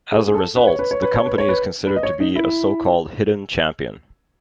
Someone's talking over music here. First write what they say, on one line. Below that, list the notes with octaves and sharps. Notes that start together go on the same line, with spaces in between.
As a result, the company is considered to be a so-called hidden champion.
G#4
G#4
A4
B4
C#5
B4
C#5
B4
C#5
B4
C#5
B4
B4
D#5
C#5
D#4
E4